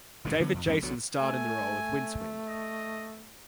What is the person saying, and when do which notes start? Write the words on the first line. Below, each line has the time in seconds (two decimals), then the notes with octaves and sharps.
David Jason starred in the role of Rincewind.
0.24 G1 G#2 B2 D3
0.40 D3 F#3 B3
0.54 F2
0.66 E2 G2 E3 C#4
0.82 B1 B2 D3 F#3
1.17 A3 G#5
2.49 D#5